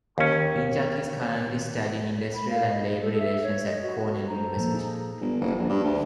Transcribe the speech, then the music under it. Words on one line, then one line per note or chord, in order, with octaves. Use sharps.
Pinchak is currently studying Industrial and Labor Relations at Cornell University.
D#2 D#3 C#4
B5
F5
D#5
A4
E5
C#5
D#5
F#4
C5 A#5
A4
A#2 F3 A#3
D#4 G#4
G1
F#1
A#1
G2
D2